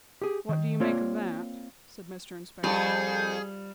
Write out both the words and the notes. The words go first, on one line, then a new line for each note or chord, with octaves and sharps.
'What do you make of that?' said Mr Inspector.
G4 G#4
D#3
A#3 C4 F4 C#5 D5
F2 G3 G#4 G6